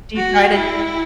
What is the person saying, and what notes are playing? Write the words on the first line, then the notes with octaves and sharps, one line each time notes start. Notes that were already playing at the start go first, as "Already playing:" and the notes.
Do you try to
F#4
E4